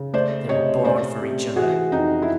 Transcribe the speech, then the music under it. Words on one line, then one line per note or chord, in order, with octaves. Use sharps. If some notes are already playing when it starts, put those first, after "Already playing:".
They were born for each other.
Already playing: C#3
A3 C5 D5
C3 C#5 D#5
A3 C5 D5
C3
E3 F#4 G#4
F2 D#4
E4